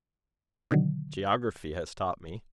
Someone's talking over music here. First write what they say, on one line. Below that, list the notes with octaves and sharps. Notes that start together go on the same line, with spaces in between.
"Geography has taught me."
B2 D3 D#3 F#3